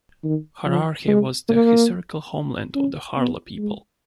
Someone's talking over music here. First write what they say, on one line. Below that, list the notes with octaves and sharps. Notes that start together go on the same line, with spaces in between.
Hararghe was the historical homeland of the Harla people.
D#3
F3
G#3
A#3
C#4
B3
G#3